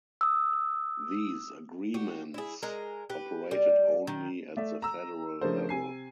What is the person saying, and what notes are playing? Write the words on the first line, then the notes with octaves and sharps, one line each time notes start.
These agreements operated only at the federal level.
D#6 E6
F#4 G4
E4 G#4
G#3 A#4
G4 B4
G3
D#3
A3 D5 E5
A#5 E6
C#3 F3 A3 D4 A#4 C5
C3 G#5 C7